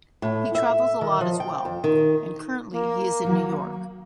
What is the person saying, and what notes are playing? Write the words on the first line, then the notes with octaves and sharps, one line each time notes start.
He travels a lot as well, and currently, he is in New York.
A2
E5
D#3
F3
G5
F2
D#3
A#3
D#3 F#3